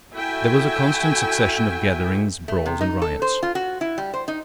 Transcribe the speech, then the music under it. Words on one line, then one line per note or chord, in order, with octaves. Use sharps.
There was a constant succession of gatherings, brawls, and riots.
E4 F#4 A4 E5 G5 G#5
A3
C3
D#4
A4
C5
F4
F#4
E4
G3
C5
D#4